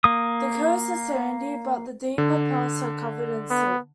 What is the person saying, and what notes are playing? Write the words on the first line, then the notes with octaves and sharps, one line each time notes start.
The coasts are sandy but the deeper parts are covered in silt.
A#3 D#6
D3
B3